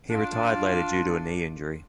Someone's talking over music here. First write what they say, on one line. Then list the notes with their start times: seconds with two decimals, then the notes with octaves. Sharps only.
He retired later due to a knee injury.
0.11 D4 F4